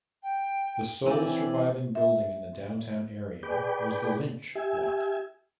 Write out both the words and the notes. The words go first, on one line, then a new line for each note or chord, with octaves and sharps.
The sole surviving building in the downtown area was the Lynch block.
G5
E3 C4 C#4 D5
E5
G#4 B4 D5 G5
G4 E5 G#5